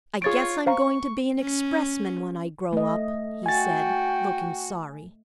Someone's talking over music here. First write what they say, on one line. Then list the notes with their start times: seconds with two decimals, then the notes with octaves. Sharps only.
'I guess I'm going to be an expressman when I grow up,' he said, looking sorry.
0.22 F4 G#4 C#5 A6 D7
0.66 C5 F5 A#5 C#6
1.41 C#4
2.73 A3 D#5
3.46 F#4 G5 G#5 A6